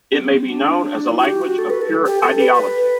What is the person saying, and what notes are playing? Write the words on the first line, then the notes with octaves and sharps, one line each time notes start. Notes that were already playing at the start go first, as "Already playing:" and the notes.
It may be known as a language of pure ideology.
C4
B3
C4
D4
E4
F#4
G4
F#4
A4
B4
A4
G4
A4
B4
B4